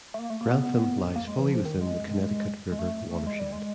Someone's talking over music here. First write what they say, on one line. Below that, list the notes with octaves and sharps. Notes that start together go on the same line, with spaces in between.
Grantham lies fully within the Connecticut River watershed.
A3
A#3
A3
A#3
B3
A#3
G#3
E3
F3
D#3
G#3
G#3
A3
A3
G#3
G3
G#3